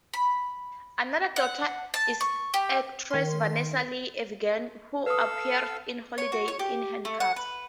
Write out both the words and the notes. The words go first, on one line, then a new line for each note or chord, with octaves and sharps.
Another daughter is actress Vanessa Lee Evigan, who appeared in "Holiday in Handcuffs".
B5
F#5
A5
C#6
G4
D#3 C6
A4 B4 F5 D#6 E6
C#5
F#4
C#5
G4
A3
F#5
B4